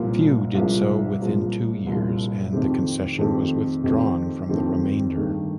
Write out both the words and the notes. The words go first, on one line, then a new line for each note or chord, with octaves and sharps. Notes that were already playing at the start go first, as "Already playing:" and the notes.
Few did so within two years and the concession was withdrawn from the remainder.
Already playing: C2 A#2 F3 A#3 F4
C2 A#2 F3 A#3 F4
C2 A#2 F3 A#3 F4
C2 A#2 F3 A#3 F4
F2 D#3 A3 C4 G4
F2 D#3 A3 C4 G4
F2 D#3 A3 C4 G4
F2 D#3 A3 C4 G4
G2 D#3 A3